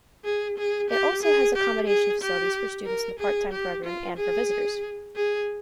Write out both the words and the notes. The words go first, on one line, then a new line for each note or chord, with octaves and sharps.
It also has accommodation facilities for students in the part-time program and for visitors.
G#4
G#4
G4
G#4
G4
G#4
G4
A#4
G#4
G4
F4
G#4
G#4